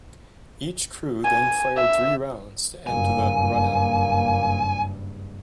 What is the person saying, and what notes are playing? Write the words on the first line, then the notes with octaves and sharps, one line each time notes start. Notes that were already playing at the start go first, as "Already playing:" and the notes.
Each crew then fired three rounds to end the "Run Out".
G#5
E5
F#1 G2 A#3 G#5